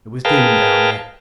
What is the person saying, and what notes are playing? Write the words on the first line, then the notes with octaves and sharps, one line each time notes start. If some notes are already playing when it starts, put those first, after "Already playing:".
It was dim down there.
G#4 A#4 B4 F5 G5 A5